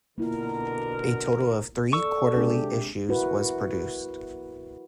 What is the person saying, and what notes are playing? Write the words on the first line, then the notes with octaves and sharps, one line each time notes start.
A total of three quarterly issues was produced.
B2 D3 A#3 E4 F4 A#4
A4 D5 C#6 E6
C3 G#3 D4 G4 G#4
E4 F#4 A#4 B4